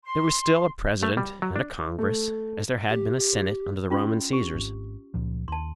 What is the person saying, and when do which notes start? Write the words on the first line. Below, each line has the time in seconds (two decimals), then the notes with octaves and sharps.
There was still a president and a congress, as there had been a Senate under the Roman Caesars.
0.05 C6
1.03 A3
1.17 G3
1.42 F#3
1.56 D4
1.99 A3
2.89 G4
3.90 C#4 F4 C6
4.33 G4
4.54 G#1
5.14 C#2 A#2 F3
5.48 D#2 A5 C6